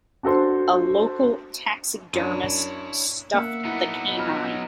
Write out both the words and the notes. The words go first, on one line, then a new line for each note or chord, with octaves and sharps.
A local taxidermist stuffed the canine.
D4 F#4 A4 C5
F#2 D4 E4 C#5 D#7
A#3 E5 F#5
B3 D#4 E4
F4 F#4 C#5 B5 E6 F6